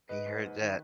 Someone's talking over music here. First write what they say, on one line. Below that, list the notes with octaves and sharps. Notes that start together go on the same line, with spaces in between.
He heard that.
G#2 B4 D#5
G#2
G#2
D#3